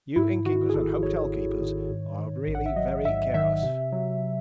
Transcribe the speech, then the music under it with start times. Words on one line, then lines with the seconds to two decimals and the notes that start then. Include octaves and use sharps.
You innkeepers and hotel-keepers are really very careless.
0.16 G#2 E4
0.45 D#3 F#4
0.70 G#4
0.74 G#1 A4
1.03 G#1 C#5
1.32 G#2
1.60 D#3
1.90 G#2
2.19 D#3
2.48 A1
2.55 F#5
2.66 E5
2.76 F#3 D#5
3.05 G#2 E5
3.34 D#3 E5
3.63 C3
3.92 F#3